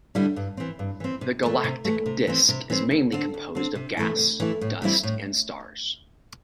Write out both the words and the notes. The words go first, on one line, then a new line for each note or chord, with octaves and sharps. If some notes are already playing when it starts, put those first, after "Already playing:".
The galactic disc is mainly composed of gas, dust and stars.
D3 G3 E4
G2
E3 C4
G2
E3 C4
C3
E3 A3
C3
E3 A3
C3
E3 C4
C3
E3 C4
D2
D3 C4
D2
D3 C4
C3
E3 A3 E4
C3
E3 A3 E4
A2
E3 G3 C4 E4
A2